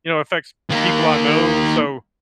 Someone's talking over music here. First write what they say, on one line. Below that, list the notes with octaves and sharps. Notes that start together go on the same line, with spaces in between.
you know, it affects people I know. So,
D#3 A#3